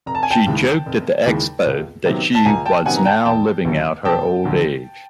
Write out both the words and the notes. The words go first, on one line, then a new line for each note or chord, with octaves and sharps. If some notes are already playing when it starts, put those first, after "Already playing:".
She joked at the expo that she was now living out her old age.
F1 A#5
A5
G#5
G5 A5
D#2 C#3 E3 G#3
F1
D#2 C#3 E3 G#3
C#2
C3 D#3 F#3 B3
A5
C#2 G#5 A#5
G5 A5
C3 D#3 F#3 B3 F#5 G#5
A#5
G5 A5
E1 G5 A5
D2 D3 F#3
E1 G5 A5
D2 D3 F#3